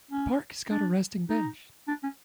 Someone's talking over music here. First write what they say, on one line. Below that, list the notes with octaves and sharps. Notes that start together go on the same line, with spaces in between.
The park has got a resting bench.
C#4
D4
D#4
D4
C#4